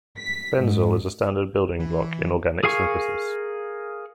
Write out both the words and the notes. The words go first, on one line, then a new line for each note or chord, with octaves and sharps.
Benzil is a standard building block in organic synthesis.
B6
G#2
E3
G#4 A#4 F5 G#5 C#6